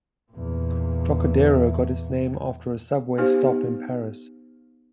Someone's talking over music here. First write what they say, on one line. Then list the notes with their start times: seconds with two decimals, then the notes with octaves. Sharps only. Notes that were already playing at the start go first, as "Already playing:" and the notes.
Trocadero got its name after a subway stop in Paris.
0.32 E2 A#2
3.18 B3 D#4 G4 C5 F5